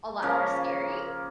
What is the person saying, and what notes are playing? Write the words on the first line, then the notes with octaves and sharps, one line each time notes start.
a lot more scary.
C#3 F3 A#3 C#4